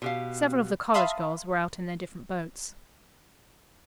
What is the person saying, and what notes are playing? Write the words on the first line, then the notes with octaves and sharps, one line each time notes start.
Several of the college girls were out in their different boats.
B2 G4 F5
E5 F5 A5 B5 C6 D#6